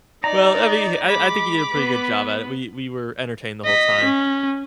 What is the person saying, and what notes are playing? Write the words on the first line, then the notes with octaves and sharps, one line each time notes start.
Well, I mean, I I think he did a pretty good job at it; we we were entertained the whole time.
D#4 D5 A#5
G#3 B5 D6
B3 B4
D#5 B6
C#4